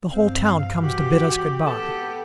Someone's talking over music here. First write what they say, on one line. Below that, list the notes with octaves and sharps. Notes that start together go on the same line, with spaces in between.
The whole town comes to bid us good-by.
G2 C4 F5
E3 F#4 G4
B3 G4 A4